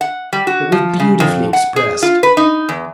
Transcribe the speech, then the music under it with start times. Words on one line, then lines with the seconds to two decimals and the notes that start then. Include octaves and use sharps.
It was beautifully expressed.
0.01 F#5
0.33 G3
0.47 F#4
0.72 F3
1.00 C#3
1.20 F2
1.53 F#5
1.76 G#4
2.02 F4
2.23 B4
2.37 D#4
2.69 E2